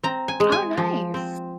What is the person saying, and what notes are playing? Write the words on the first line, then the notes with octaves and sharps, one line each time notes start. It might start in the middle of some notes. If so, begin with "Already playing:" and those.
Oh, nice.
C4 A#5
G#5
G#3
G#5
F3
C4